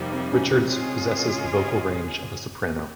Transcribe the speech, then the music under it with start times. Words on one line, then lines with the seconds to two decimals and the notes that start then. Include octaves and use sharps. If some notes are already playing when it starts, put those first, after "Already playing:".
Richards possesses the vocal range of a soprano.
Already playing: F2 C3 G3 A#3 D#4
0.12 C4
0.32 C#4
0.51 C4
0.70 C#3 G#3 C#4 F4 G#4